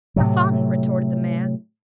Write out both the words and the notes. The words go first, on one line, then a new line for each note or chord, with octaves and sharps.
"For fun," retorted the man.
A2 C3 F#3